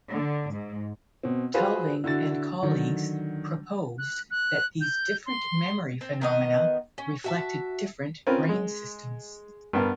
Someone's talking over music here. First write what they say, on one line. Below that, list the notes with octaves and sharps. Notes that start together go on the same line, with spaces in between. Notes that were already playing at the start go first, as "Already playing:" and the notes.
Tulving and colleagues proposed that these different memory phenomena reflected different brain systems.
D3
G#2
B2 C4
F4 F#4 G#4 B4 C5 F5
D3 E4 F#4 A6
D3 D#3 F#3
F#6
F#6
G6
C6
C4
D#3 B3 D#5
C#4
F#4 E5 A5
C4 C#4 F4 A#4 B4
G#3
G2 B3 A#4